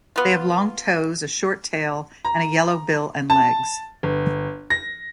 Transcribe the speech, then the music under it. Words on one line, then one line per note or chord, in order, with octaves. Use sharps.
They have long toes, a short tail and a yellow bill and legs.
B3 F4
A#5
A5
G1
A#6